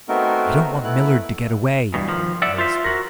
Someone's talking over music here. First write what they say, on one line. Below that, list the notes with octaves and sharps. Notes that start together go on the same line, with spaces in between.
"You don't want Millard to get away," I whispered.
A3 B3 C4 D#4 F#4 A#4
A3 B3 E4 F#6
E2 G2 B2
D#3 F3
D5 E5 F#5
F4 C5 E5
F#4 A#4